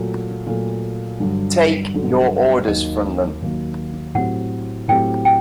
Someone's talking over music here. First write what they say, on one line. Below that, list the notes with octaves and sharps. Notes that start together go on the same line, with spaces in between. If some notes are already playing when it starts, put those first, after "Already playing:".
Take your orders from them.
Already playing: A#2 F#3 A3
A#2 F#3 A3
G2 D3 F#3
G2 D3 F#3
D#2 D#3 F#3 A#3 D#5
D#2 D#3 F#3 A#3
A2 F#3 C4 G4 F#5
A2 F#3 C4 G4 G5
G5